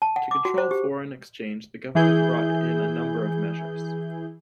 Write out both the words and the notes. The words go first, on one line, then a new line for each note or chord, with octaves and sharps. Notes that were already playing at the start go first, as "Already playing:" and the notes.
To control foreign exchange, the government brought in a number of measures.
A5
F#5
D6
F#4
C5
G4
E3 E4 G#4 G6